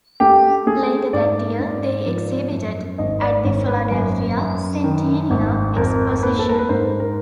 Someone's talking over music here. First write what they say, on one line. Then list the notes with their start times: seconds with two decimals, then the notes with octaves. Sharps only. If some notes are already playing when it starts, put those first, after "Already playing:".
Later that year they exhibited at the Philadelphia Centennial Exposition.
0.20 A3 G4
0.67 A3 G#4
1.13 G#2 D5
1.59 G#2
2.06 F3
2.52 F#2
2.98 G#1 D#5
3.22 D5
3.45 G#1 C#5
3.68 B4
3.91 F#2
4.37 F#2
4.84 D#3
5.30 G#1
5.76 F2 A#4
6.23 A#3 B4
6.39 A4
6.49 A#4
6.59 B4
6.69 G#2 C5
7.00 A#4